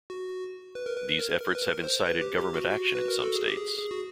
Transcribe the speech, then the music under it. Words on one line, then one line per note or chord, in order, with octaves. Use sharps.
These efforts have incited government action in some states.
F#4
B4
A#4
B4
A#4
A#4
B4
A#4
C5
B4
G4
G4
F#4
F#4
B4
A#4
A4
G#4
G4
G#4
G#4
F#4